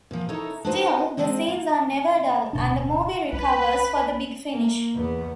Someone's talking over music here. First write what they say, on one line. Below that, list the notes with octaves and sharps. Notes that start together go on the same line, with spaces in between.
Still, the scenes are never dull, and the movie recovers for the big finish.
A#2 F3
D#4 E4 A4 A#4 C#5 D#5
D4 D#4 F#4 A4 B4 C5
G#3 A3 C4 D4 C5 D#5
A#3
D1 B2 D4
C2 B4
A#3
E2 B3